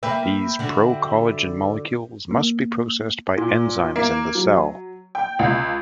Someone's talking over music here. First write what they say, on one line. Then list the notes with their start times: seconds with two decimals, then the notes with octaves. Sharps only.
These procollagen molecules must be processed by enzymes in the cell.
0.03 A#3 B4 E5 G5 B5
0.59 D3 F#4
2.31 A#3
3.37 A#2
3.96 A#3
4.35 F#3
5.15 G5
5.39 C#2